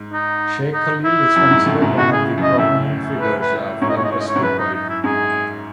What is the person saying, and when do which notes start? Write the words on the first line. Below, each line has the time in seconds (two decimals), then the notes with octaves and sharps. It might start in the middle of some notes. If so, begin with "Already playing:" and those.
Sheikh Khalil is considered one of the prominent figures of linguistic poetry.
Already playing: G#2
0.13 D#4
0.74 D#4
1.05 E4
1.36 F#2
1.51 G#2
1.66 F#2 A2
1.82 G#2 B2
1.97 A2 C#3 F#4
2.12 G#4
2.38 F#2
2.43 D#5
2.58 F#2 A2 E5
3.20 B4
3.40 B4
3.81 G#2 C#5
3.90 D#5
3.97 C#5
4.04 D#5
4.12 C#5
4.20 D#5
4.28 C#5
4.35 G#2
4.43 F#2 B4
4.59 D#4
4.74 D#4
4.89 E4
5.04 G#2 G#4